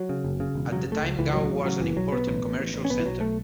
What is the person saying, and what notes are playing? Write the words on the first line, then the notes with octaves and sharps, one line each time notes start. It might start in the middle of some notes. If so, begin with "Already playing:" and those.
At the time Gao was an important commercial center.
Already playing: F#3
C#3
F#1
C#3
E1
C#3 F#3
F#1
A3
C#2
C#2 E3
A1 F#3
A1
C#3 F#3
F#1 E3
B1 F#3
B1 B3
A1
A1
A1
A1
C#4
B1 B3
E3
B1 F#3
A3